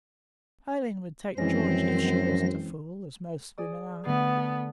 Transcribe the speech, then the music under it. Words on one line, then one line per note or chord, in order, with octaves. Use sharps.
Aileen would take George if she wasn't a fool, as most women are.
F#2 E3 F3 G#3 C4 C#4 C5 A#6
G#4 D5 D#6
D3 A3 B3
A4